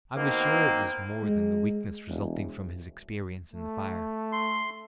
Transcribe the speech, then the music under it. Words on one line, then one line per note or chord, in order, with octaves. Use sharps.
I was sure it was more than the weakness resulting from his experience in the fire.
B2 D#3 A#3 C4
G#3
E1
A3
C6